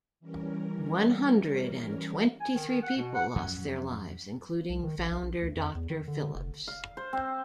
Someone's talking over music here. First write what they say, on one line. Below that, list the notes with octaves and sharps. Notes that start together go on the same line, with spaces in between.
One hundred and twenty-three people lost their lives, including founder Doctor Phillips.
E3 G3 C#4 A#4
G#5
D#3
D#3
F#5
B2
F#5
F2 F#3 C#4
C2
D#3
A1
B1
A#1
D2
F2
E2
D#3
D3
F1
F5
C5
C4